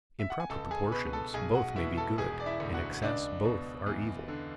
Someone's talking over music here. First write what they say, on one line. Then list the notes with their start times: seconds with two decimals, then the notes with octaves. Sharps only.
In proper proportions both may be good, in excess both are evil.
0.19 E5
0.30 F#5
0.40 G#5
0.50 C#2 A4 A5
0.71 G#4 G#5
0.92 B2 B4 B5
1.13 A4 A5
1.34 B1 G#4 G#5
1.55 F#4 F#5
1.76 B2 E4 E5
1.97 A4 A5
2.18 E1 G#4 G#5
2.40 D5
2.46 E4 E5
2.60 D2
2.74 F#4 F#5
3.02 C#2 D4 D5
3.44 B2
3.86 E2
4.28 D3